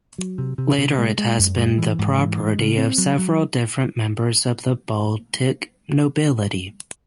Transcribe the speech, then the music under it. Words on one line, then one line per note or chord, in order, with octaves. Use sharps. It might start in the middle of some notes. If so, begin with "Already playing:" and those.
Later it has been the property of several different members of the Baltic nobility.
F#3
C3
C3
C3
G#3
G#3
F#2
G#3
E3
G#2
E3
G#3
C#3
C4
F#3
F#3